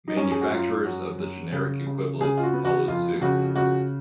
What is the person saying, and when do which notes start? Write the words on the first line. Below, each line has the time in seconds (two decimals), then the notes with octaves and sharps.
Manufacturers of the generic equivalents followed suit.
0.08 D#4
0.17 F#2 C#4
0.31 G#4
0.41 F#4
0.51 F#2 F4
0.85 F#2 F#4
1.18 F#2
1.52 C#3
1.86 C#3
2.21 C#3 G#4
2.37 F4
2.43 F#4
2.53 B3
2.65 F#4
2.88 F2 F4
3.21 C#3 F#4
3.56 C#3 F#4